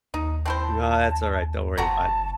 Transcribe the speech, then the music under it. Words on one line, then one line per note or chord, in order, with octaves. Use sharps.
No, that's alright. Don't worry about it.
D#2 D#4
C4 E4 C5 A5
F#1 C4 F#4 A5 A#5